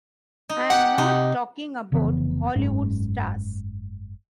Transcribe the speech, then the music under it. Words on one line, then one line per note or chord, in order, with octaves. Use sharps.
I'm not talking about Hollywood stars.
D#4
G4 F#5
C3 D#4
F1 C#3 E3 B3
F#1 G#2 C#4